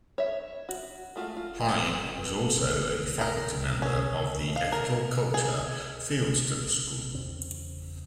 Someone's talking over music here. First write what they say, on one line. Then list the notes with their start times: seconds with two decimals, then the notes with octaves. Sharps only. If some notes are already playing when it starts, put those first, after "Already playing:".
Hine was also a faculty member of the Ethical Culture Fieldston School.
0.18 C#5 E5
0.69 F#4
1.16 G#3 A3 F4 F#4
1.37 F4
2.17 B4
3.21 A#4
3.82 C#4
4.56 F5
4.72 A#4
5.34 G#4
7.14 E2 C#3 C4